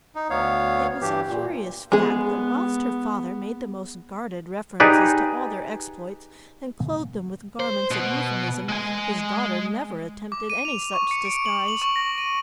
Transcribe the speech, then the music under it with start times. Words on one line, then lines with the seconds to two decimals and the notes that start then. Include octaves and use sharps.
It was a curious fact that whilst her father made the most guarded references to all their exploits and clothed them with garments of euphemism, his daughter never attempted any such disguise.
0.15 D#4
0.30 D2 B3 C#5 F5
1.01 G2 E3 G4
1.29 A#2
1.92 G#3 B3 G#4
4.80 D#4 G4 G#4 B4 D5
7.60 C5
7.91 B2 B3
8.69 G#3 G#5
10.32 D6
10.50 D#7
10.65 F7
10.94 C#6
11.11 C#7
11.25 D7
11.46 F#7
11.68 F#7
11.82 C#6
11.96 A#6
12.18 D#7